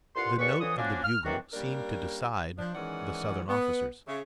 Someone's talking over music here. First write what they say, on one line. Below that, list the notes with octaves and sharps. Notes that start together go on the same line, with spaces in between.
The note of the bugle seemed to decide the Southern officers.
C2 G2 F4 F#5 C6
D#2 G#4 B4 D5 C#6
F2 D3 E3 C#5 D#6
F3 F#3 A#3 C#4 D4
F6
D#3 E3 F#3 C4 D4 F#4
G3 A#3 C#4 D4 A#4
F3 D4
G#2 D#3 E3 C#4 D5 F#5
B3
C#3 E5